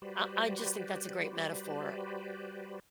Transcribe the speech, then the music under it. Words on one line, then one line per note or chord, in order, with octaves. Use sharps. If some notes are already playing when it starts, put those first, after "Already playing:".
I I just think that's a great metaphor
G3 F#4 G4 B4 C5 D5